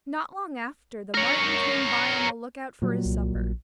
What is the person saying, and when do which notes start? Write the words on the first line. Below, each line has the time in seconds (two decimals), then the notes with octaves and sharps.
Not long after the marten came by on the look out for his supper.
1.14 A#4 C#5
2.82 A#2 F#3 G3
3.05 C2
3.35 A#1